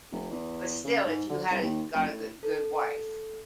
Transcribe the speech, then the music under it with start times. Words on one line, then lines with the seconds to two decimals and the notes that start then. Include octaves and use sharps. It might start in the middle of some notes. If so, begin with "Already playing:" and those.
But still, if you had a have got a good good wife,
0.12 F1
0.31 E2
0.84 C#3
1.05 G#2
1.30 D3
1.51 C2
1.62 D#2
1.94 F#1
2.08 A2
2.43 A4